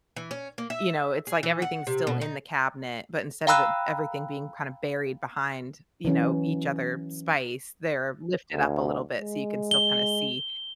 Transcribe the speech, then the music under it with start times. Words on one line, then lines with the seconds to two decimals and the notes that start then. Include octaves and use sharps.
you know, it's like everything's still in the cabinet, but instead of it everything being kind of buried behind, you know, each other spice, they're lifted up a little bit so you can still kinda see,
0.16 E3
0.31 C#4
0.58 A#3
0.70 E5
1.27 G#4
1.43 E3
1.62 F#5
1.87 C3
2.07 B2
2.21 D#4
3.47 F5 G5 A#5 B5 E6 F#6
6.05 E3 F#3 C#4
8.53 D2
9.18 G#3
9.71 G7